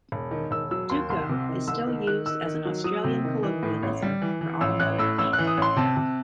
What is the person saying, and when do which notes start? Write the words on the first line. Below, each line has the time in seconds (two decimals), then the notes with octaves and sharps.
"Duco" is still used as an Australian colloquialism for automotive paint.
0.12 E1
0.31 D#3
0.51 E1 E6
0.71 F#3 E6
0.90 D#2 C6
1.10 C2 C6
1.29 C3
1.49 D#3
1.67 C2 E6
1.87 D#3
2.07 D#3 F#6
2.26 D#3 E6
2.45 D#3
2.65 F#3
2.84 F#3 D#6
3.04 C3
3.24 D#3
3.43 E3
3.63 A2
3.83 A1
4.02 G3
4.22 E3
4.41 E3
4.61 A1 E6
4.80 A1 F#6
4.99 A2 E6
5.19 A1 E6
5.33 F#6
5.38 E3
5.47 D#6
5.57 A1 C6
5.76 C3 A5
5.97 C3